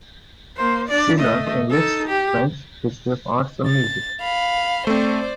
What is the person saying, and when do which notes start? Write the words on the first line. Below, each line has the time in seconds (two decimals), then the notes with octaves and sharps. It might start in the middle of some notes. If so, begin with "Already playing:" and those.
She learnt English, French, history of arts and music.
0.57 A#3 C5
0.89 D4 D5
1.18 A3 D#5
1.71 D#4 A4
2.08 G4
3.67 A6
4.21 F5 B5
4.87 A3 C4 C5 D5